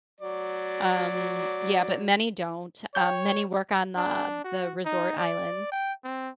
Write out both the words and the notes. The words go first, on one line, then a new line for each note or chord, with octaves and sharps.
Um, yeah, but many don't, um, many work on the the resort islands.
F#3 D5
C#5 G5 G6
D4
F#4
D#4
D5
G5
C4